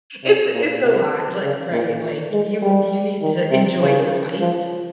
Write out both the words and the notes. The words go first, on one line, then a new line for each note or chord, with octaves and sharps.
it's a it's a lot, like, right? Like you you need to enjoy your life.
C3
A#2
C3
C#3
A#2
G#3
G3
D#3
C3
C#3
F3